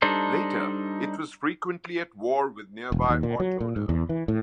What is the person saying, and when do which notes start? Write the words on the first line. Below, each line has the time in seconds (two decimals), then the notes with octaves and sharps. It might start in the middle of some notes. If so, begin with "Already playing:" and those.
Later it was frequently at war with nearby Ortona.
0.02 G3 D4 D#4 A4 C5
2.92 E1
3.09 D#2
3.23 A#2
3.40 F#3
3.61 A#2
3.76 G#2
3.89 E2
4.09 E3
4.28 A2